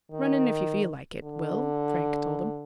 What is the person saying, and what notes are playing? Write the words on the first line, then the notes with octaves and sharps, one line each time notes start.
"Run in, if you feel like it, Will," Frank told him.
D#3
D3